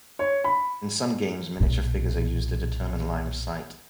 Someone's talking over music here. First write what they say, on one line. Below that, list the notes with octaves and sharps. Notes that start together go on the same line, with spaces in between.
In some games, miniature figures are used to determine line of sight.
C#5
B5
B1 A#2